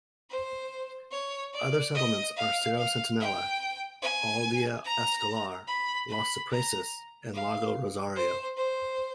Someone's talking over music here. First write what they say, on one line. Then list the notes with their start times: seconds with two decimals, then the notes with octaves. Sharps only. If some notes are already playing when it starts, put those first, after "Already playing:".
Other settlements are Cerro Centinela, Aldea Escolar, Los Cipreses and Lago Rosario.
0.30 C5
1.12 C#5
1.53 D5
1.95 D#5
2.36 F5
2.77 F5
3.20 G5
4.02 G#5
4.85 A#5
5.67 B5
6.09 B5
6.51 A#5
7.33 F5
8.16 C5
8.57 C5